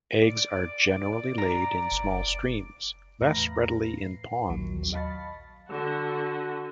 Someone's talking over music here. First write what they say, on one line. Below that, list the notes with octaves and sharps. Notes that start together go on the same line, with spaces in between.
Eggs are generally laid in small streams, less readily in ponds.
D5
A#5
F#1
E2 A2 B4 F5 A#5 A#6
C7
A#1 D#2 F#3
D#5 F5 A5 B5 C#6 A6
D3 F#4